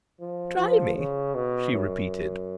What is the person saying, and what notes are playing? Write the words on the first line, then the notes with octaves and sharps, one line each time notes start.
"Try me," she repeated.
F3
F3
C#3
B2
F#2